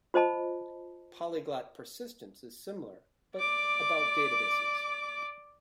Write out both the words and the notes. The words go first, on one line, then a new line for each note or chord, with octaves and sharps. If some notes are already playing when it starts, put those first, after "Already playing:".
Polyglot persistence is similar, but about databases.
F4 C5 D#5 A5 B5
D5 D6